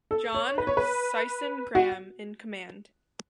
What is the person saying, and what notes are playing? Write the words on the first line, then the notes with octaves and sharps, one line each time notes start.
John Sisson Graham in command.
A4
C#5
B4
C#5
B4
F#4